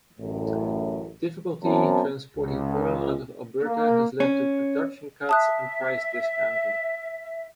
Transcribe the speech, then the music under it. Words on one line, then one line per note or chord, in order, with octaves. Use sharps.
Difficulty transporting oil out of Alberta has led to production cuts and price discounting.
A1 F#2 A2
F#2 B3 C4 A5
C#2
A#3
C#4
E5 A5 D#6 F#6